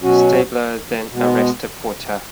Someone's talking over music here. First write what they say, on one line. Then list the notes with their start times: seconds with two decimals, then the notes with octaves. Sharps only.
Stabler then arrested Porter.
0.02 B2 F#3 C#4 F#4
1.11 B2 G#3 B3